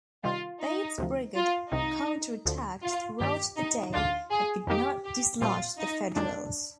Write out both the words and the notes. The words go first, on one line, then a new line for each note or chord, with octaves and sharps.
Bate's brigade counterattacked throughout the day but could not dislodge the Federals.
C3 D#3 G3 F4
D#4
D2 C3 F3
F4
C2 C3 D#3 D#4
D2 D3 F3
F4
G2 D#3 A#3 D4 G4
D#4
D2 D3 G#3 D4 F4
G#4
F2 D#3 A#3 D#4 G4
G4
A#2 G3 C4 F4
D#4
F2 D#3 G#3 D4